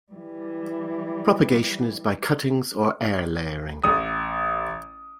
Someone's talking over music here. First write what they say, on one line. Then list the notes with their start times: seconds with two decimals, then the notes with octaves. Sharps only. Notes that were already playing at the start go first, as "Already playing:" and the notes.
Propagation is by cuttings or air layering.
0.12 E3 G3
3.84 A1 D#6